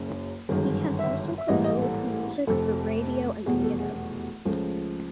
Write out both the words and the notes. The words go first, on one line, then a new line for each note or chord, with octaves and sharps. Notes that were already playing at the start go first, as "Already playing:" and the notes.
He has also composed music for radio and theatre.
Already playing: F#1 F#2 C#3
G1 F#2 D#3 G#3
E5
E5
A1 G#2 E3 G3 A#3 D#5
D#5
A4
F1 F2 C3 A4
F1 E2 B2 G3 G#4
A4
G#4
C#2 C#3 F3 A3